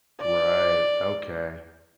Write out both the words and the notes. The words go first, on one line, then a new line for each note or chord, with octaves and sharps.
Right, okay.
D5